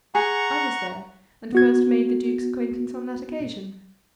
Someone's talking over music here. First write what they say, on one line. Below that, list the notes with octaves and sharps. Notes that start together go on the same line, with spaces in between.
I was there, and first made the Duke's acquaintance on that occasion.
G#4 F#5 A#5 C#6
B3 F#4 G#6